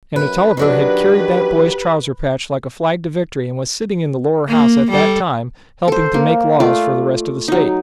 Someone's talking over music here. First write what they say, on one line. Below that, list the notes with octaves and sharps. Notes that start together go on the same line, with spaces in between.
And a Tolliver had carried that boy's trouser-patch like a flag to victory and was sitting in the lower House at that time helping to make laws for the rest of the State.
F#2 B4
D#3 F#3 D4 G4 B4
A#3
G3 A4
A4 C5
A#3
A3 F4 D5
F#3 D#4